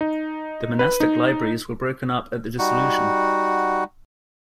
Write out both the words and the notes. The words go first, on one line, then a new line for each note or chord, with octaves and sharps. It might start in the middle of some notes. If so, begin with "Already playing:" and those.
The monastic libraries were broken up at the Dissolution.
D#4
B4
D#4
G3 D#4 F#4 F#5